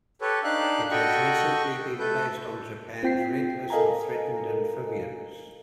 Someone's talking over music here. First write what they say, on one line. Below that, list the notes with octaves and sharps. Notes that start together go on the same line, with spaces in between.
It has recently been placed on Japan's Red List of Threatened Amphibians.
G4 A4 B4 C#5
D4 D#4 G4 F5 F#6
F#4 A4 D#5 G5 B5 C#6
A3 A4 B4 G6
C4 F4 G5 B6 C7
A4 A#4 D#5 F5 G#5 A#5